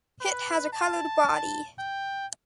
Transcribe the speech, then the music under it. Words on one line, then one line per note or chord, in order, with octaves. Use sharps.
Hit has a colored body.
B4
A5
G5